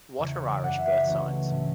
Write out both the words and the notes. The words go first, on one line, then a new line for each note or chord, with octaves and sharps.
What are Irish Birth Signs?
E2 C#3 G3 C#5
C#5
D5
F#2 C#3 G3 F#5
E5
B4
C#2 C#3 E3 A3 C#4 C#5
A2 F#3 A3 C#4